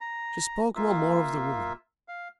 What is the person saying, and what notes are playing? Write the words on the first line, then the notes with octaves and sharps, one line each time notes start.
She spoke no more of the "woman."
A#5
A#3 F4 E5
F5